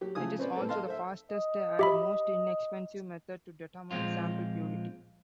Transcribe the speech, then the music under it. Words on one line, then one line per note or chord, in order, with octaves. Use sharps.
It is also the fastest and most inexpensive method to determine sample purity.
F#3 G4
C#3 F3 A3 G#5 D#6
C4 C#4 B4 C5 D5
A2 B3 C4 A4
D#5 F5 A5 C6
A4 C5 E5
D#5
G4 E5 B5
A#2 F3 G#3 C4 F4